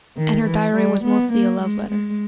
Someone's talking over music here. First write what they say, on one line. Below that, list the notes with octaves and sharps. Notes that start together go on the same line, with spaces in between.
And her diary was mostly a love-letter.
D#3
E3
G3
B3
A#3
G#3
G#3